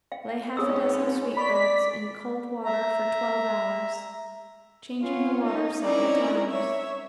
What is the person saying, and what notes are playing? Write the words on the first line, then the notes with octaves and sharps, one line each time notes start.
Lay half a dozen sweetbreads in cold water for twelve hours, changing the water several times.
F5 G5
G#2 B3 C#4 G#4 D#6 E6
D5 B5 C#6 B6
E5 A#5
B3 C#4 F4
D#4
C4 C#4 D#4 E4 A#4 D5
C#5 E5